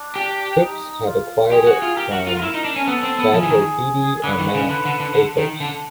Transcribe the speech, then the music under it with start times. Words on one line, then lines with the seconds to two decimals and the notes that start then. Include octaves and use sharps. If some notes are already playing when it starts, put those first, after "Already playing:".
Cripps had acquired it from Vatopedi on Mount Athos.
Already playing: D4
0.16 G4
0.61 D#4
1.07 F4
1.52 G4 G#4
1.67 F#4
1.82 F4
1.97 G4 A#4
2.12 F#4
2.27 F4
2.37 F4
2.42 E4 A#4
2.54 D#4
2.65 D4
2.76 C#4
2.87 B3 A4
3.03 C4
3.19 B3
3.33 F3 G#4
3.43 E3
3.49 D#3
4.24 D3 B4
4.39 D#3
4.54 C#3
4.69 D3 B4
4.85 D3
5.00 D3
5.14 D3
5.37 D#3
5.60 D3